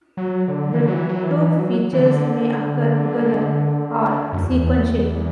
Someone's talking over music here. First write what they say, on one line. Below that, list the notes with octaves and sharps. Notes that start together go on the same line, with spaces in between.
The two features may occur together or sequentially.
F#3
D3
E3
D3
F#3
E3
F#3
E3
E3
F#3
E3
D3
F#2
E2